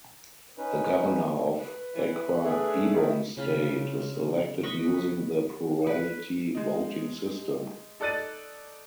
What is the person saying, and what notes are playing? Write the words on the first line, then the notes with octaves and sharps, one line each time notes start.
The Governor of Akwa Ibom State is elected using the plurality voting system.
C#4 D#4 B4
B4
E3
A3 D4 G#4
D#3 E4
C#3 F4 B5
B4 D#5 B5 C#6
B4
G#3 D#4
D#4 A4 D5 F#6 A6 D#7